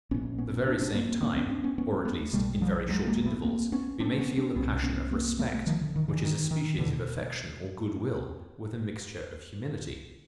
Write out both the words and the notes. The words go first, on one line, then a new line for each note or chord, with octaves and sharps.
At the very same time, or at least in very short intervals, we may feel the passion of respect, which is a species of affection or good-will, with a mixture of humility.
A#1 A#2 B3 C#4
B3 C#4
D4
C4 D4
A#3 C4
A#3 C4
B3 C#4
C4 D4
B3 C#4
B3 C#4
A3 B3
B1 B2 G3 A3
G#3
F3 G3
F#3 G#3
G#3 A#3
A3 B3
A#3 C4
B3 C#4
C4 D4
B3 C#4
C4 D4
C2 B2 B3 C#4
B3 C#4
A#3 C4
A3 B3
D#3 F3
D3
D#3
D3 E3
D#3
D#3
B2 D3 E3